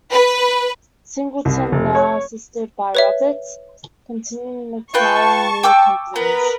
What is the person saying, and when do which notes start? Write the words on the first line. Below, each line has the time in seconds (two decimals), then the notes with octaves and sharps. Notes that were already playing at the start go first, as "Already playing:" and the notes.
Singleton, now assisted by Roberts, continued in acquiring new companies.
0.10 B4
1.45 C2
1.72 F1
1.95 C#5
2.95 B4 C#5 E5
4.94 F4 B4 G5 A5 C#6
5.63 G5 D6 E6
6.16 B3 A#4 B4